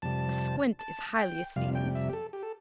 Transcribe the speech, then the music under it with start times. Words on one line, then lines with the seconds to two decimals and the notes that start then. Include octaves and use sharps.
A squint is highly esteemed.
0.02 F2 C3 G3 A5
0.79 A5
1.17 G5
1.56 F2 C3 G3 F5
1.75 G5
1.95 E5
2.09 G4
2.13 A4
2.33 G4
2.43 A4